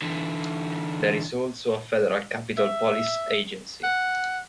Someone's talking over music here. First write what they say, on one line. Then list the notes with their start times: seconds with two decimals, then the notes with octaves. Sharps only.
There is also a federal capitol police agency.
0.02 D3 E3
2.57 E5
3.84 F#5